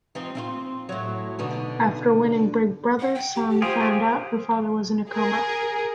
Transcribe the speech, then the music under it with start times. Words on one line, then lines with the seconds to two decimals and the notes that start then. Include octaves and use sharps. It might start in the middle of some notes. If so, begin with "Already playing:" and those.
After winning Big Brother, Song found out her father was in a coma.
0.15 F3 C4 D#4
0.35 C4 E4 F4
0.89 A2 F#3
1.39 B2 D3 D#4
3.00 F#5
3.15 G5
3.35 G4
3.50 G4
3.62 F4 G4 G#4 C5
5.09 G#4 A#4